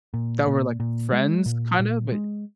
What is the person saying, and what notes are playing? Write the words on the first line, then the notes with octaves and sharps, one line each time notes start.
that we're, like, friends, kind of, but
A#2
A#2
A#2
G#3
A#2
A#2
G#3